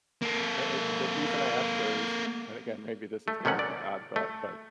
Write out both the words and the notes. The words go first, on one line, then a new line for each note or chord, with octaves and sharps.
I I the reason I ask is and, again, maybe this is kind of an odd thought, but
A#3 A4
A3
C3 D#3 A3 C#4 F#5
D5
A3